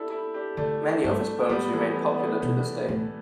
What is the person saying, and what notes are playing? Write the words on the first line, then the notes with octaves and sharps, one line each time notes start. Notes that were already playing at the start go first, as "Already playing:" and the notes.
Many of his poems remain popular to this day.
Already playing: D4 E4 G4 A4
E4 A4
D4 G4
D3 A3 D4
G2 A3 D4
A2 G3 B3
E3 A3
G3 B3
B3
A3 D4
B2
A2